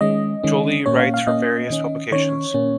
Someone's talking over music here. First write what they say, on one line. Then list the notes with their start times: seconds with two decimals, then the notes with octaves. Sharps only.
Joly writes for various publications.
0.01 D#3 G#3 C#4 D#5
0.44 D#3 G#3 C#4
0.86 A#2 A#3 C#4 C#5
0.99 F5
1.14 F5
1.27 A#2 A#3 C#4 D#5
1.70 D#3 C#4
2.12 D#3 C#4 C#5
2.54 A#2 A#3 C#4